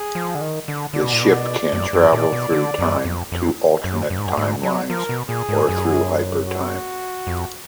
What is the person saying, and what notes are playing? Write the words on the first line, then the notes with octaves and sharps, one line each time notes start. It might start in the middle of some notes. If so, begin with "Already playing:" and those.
The ship can travel through time, to alternate timelines, or through hypertime.
Already playing: G#4
F3
D3
D#3
D3
D3 D5
B2
A#2
B2
F#2
F#2
A#2
B2
D3
F#2
F2
F2
F#2
F#2
G#2
F#2
G#2
F#3
F3 A#4
B2
A#2 G#4
G#2
F#2
F#4
F2